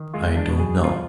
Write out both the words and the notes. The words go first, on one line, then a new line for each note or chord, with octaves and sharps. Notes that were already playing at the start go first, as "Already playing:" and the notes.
I don't know....
Already playing: D#3
G#3 F4
D4
B2
G#4
F3 F4